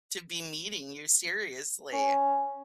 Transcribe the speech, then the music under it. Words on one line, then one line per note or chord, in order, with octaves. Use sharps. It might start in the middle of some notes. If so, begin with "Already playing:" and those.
to be meeting you seriously.
C#4